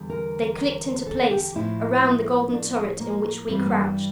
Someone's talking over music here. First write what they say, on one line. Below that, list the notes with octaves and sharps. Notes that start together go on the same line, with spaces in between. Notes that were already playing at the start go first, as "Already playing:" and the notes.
They clicked into place around the golden turret in which we crouched.
Already playing: E2 D3 G3
A#4
A4
G4
A2 F3 E4
D4
A#3
G2 E3 G3 C4
A#3
D4